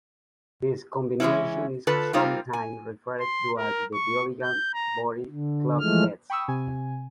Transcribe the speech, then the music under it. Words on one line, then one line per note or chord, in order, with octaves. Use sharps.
This combination is sometimes referred to as the Biological Body Clock Test.
E3 G#3 A3 C#4 E4
D3 F4 A4 B4 A5
G3 A#3 C4 D#4 F4
G#5
C6
A#4
C#6
G6
A#5
D3
E3 F3 G#3 A3 F6
G5 B5 C#6 D#6 E6
C3 G#5